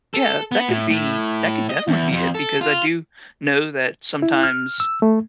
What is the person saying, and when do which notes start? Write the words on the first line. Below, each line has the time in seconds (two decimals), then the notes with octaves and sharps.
Yeah, that could be that could definitely be it because I do know that sometimes
0.14 A4
0.52 B3
0.69 A2
0.90 A2
1.69 D#5
1.88 E2
2.12 F2
2.35 A4
2.61 F4
4.22 E4
4.43 F6
4.80 E6
5.02 A3